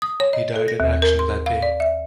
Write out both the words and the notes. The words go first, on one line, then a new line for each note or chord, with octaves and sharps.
He died in action that day.
D#6
C#5
D#5
A4
A#6
D#2
A#4
C6
F5
D5
E5